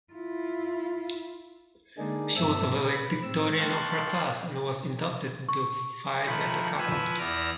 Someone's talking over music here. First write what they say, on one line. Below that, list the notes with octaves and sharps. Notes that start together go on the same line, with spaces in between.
She was valedictorian of her class and was inducted into Phi Beta Kappa.
E4 F4
D3 G#3 A#3 D4 D#4 G#4
G2 A#2 C4 A4 E5 E6
B4
A2 C4 E6
F5 G5 A5 C6 C#6 F#6
C#6
D#3 F3 A3 B4
F3 B4 G#5 E6
E2 B3 D5 E6 F6 A#6